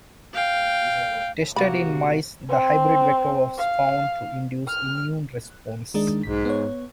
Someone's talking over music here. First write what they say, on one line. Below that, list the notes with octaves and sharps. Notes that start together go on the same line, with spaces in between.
Tested in mice, the hybrid vector was found to induce immune response.
F5 G5
C3 A#3 B3 F#4 B5
C4
F5
F6
D#3 G#3 D4
B1 G#2 B6
B3 C#5